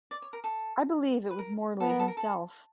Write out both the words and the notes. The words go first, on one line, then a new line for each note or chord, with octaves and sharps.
I believe it was Morley himself.
D5
C#5
A#4
A4
B4
A#4
B3 A4
A#4
A4
A#4
A4